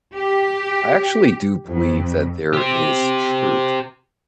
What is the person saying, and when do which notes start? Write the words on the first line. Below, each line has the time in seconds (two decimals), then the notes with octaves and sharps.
I actually do believe that there is truth.
0.15 G4
1.66 F2
2.54 G4 C5